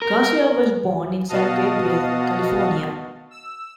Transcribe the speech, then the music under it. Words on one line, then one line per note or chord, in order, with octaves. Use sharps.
Garcia was born in San Gabriel, California.
A#4
B2 F#4 D#5 F5 A5 D#6
E6